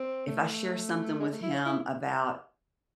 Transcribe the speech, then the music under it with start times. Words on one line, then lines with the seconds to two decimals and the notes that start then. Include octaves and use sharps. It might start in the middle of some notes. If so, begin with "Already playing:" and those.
if I share something with him about
Already playing: C4
0.27 A3
1.20 G#3
1.31 A3
1.43 E4
1.54 C#4
1.66 E4